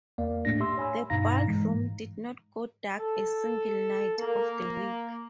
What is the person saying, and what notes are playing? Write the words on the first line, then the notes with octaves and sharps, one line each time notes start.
The ballroom did not go dark a single night of the week.
E2 A#3 A#4 D5 F5
A2 A3 D4 A#6
G4 E5 C6 E6
C#5 G#5 B5 E6
G2 B2 D#4 F5 A#5 A#6
G#2 E3 G#3
A4
A#3